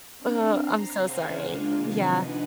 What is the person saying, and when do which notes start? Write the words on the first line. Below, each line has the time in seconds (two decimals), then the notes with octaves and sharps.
Oh, I'm so sorry. Yeah.
0.18 C4 D4
0.54 A#5 C7
0.97 C#3 C5 F5 F#5 G#5 G#6
1.42 G#3 A#3 D4 F4
1.74 C3 D#3 F3
2.11 D4 D#4 B4 F#5 G#5